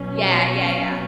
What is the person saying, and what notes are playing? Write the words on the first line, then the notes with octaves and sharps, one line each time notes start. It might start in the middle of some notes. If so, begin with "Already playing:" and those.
Yeah, yeah, yeah.
Already playing: B2 F#3 C#4
F#5
F5